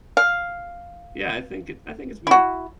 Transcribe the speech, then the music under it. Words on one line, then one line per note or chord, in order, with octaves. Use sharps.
Yeah, I think it I think it's really
F5
E4 F#4